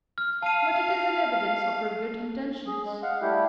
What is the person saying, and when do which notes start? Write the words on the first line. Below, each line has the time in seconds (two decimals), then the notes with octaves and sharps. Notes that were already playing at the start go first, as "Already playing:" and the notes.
But it is an evidence of her good intentions.
0.18 F6
0.43 F5 A5 D#7
2.67 G#4
2.86 G#3
3.03 F5 F#5
3.22 G3 A3 E4 G4